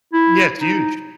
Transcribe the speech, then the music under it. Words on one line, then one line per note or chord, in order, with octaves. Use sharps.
yeah, it's huge.
E4
D#4